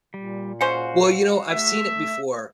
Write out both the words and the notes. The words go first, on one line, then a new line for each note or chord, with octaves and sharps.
Well, you know, I've seen it before
A#2 G3
G#3 C#4 F#4 C5 F5 F#5
A3 E5